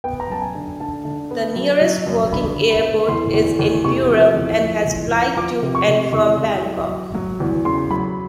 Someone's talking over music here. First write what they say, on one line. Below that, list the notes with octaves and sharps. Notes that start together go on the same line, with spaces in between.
The nearest working airport is in Buriram and has flights to and from Bangkok.
B3 G5
A#5
F#2 A5
G#5
D3
D3 A5
D3
B3
F#3
F#3
F#2
D3 B5
D3
B5
B3
E2 C6
E2
E2
C3 C#6
F3
E2
F3
E2
F3
F3 D6
C3
C#6
C3
E2 C#6
E2
F#3
F#3
F#3
E2
C#3 C6
F#3 B5